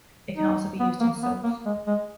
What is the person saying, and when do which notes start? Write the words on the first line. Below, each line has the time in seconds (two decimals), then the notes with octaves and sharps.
It can also be used in soaps.
0.37 D#4
0.80 B3
1.00 A#3
1.23 B3
1.44 A#3
1.65 G#3
1.87 G#3